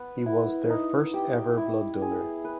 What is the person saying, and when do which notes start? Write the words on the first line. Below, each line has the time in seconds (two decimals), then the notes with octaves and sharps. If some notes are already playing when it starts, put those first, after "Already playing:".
He was their first ever blood donor.
Already playing: B3 B4
0.26 E4
0.70 D#4
1.14 G4
1.58 E4
2.02 G#4
2.45 B4